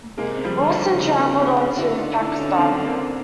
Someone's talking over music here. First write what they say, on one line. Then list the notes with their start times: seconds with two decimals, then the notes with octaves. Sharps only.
Wilson travelled on to Pakistan.
0.17 C3 G#3 A#3
0.44 F3 G3
0.57 D3
0.71 D#3 F3
0.97 C#3
1.18 B3 C#4
1.38 C4 D4
1.77 D3 E4 F#4
1.98 D#4 F4
2.17 D4 E4
2.38 C#4 D#4
2.58 C4 D4
2.84 A#3 C4